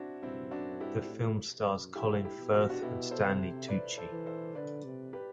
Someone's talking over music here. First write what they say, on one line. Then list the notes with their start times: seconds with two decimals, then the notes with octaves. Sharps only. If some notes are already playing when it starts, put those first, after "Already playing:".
The film stars Colin Firth and Stanley Tucci.
Already playing: C4 D4 E4 F#4
0.22 G2 C4 E4
0.51 F#2 D4 F#4
0.80 G2 E4 G4
1.09 A2
1.66 F#2
1.95 G2 E4 G4
2.24 E4 G4
2.39 B2
2.54 F#4
2.61 G4
2.69 D4 F#4
2.82 B2 E4 G4
3.11 A4 C5
3.26 C3
3.68 B4 D5
3.98 A4 C5
4.12 E3
4.26 A4 C5
4.55 D3 B4 D5
4.85 C3
5.13 G4 B4